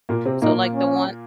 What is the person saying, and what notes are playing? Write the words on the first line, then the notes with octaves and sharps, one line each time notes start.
so like the one
A#2 A#3
C3 C4
A#2 A#3 D#4
C#4